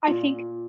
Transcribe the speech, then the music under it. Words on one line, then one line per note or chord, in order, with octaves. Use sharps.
I think
A#2